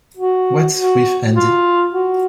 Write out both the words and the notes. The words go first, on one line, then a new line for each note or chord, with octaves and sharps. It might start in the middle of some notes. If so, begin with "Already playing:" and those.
What's with Andy?
F#4
F#4
F4
F#4